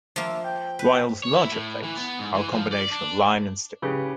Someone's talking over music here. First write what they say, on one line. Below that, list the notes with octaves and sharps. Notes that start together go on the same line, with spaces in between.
Ryall's larger plates are a combination of line and stipple.
F3 A#3 E5
G5
B4
C#5
E4
A2
E3
B3
G#2
E3
F3
D5
D4
C#3 G4 B4